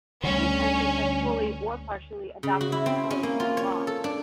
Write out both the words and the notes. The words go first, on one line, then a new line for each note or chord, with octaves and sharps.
Many countries have fully or partially adopted the Code as law.
D2 D3 G3 C#4
C#3
F#4
E4
C4
C#4
A#3
F4
C#5
A4
D4